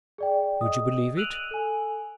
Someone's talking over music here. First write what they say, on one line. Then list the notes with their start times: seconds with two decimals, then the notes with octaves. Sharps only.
Would you believe it?
0.18 G#4 D5 G5
0.61 D#5 D#6
1.17 E6 F#6 D7 D#7 F7 F#7
1.51 A4 G#5